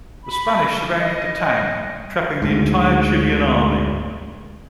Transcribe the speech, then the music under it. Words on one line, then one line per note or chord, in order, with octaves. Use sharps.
The Spanish surrounded the town, trapping the entire Chilean army.
B5
D#5
D2 G#2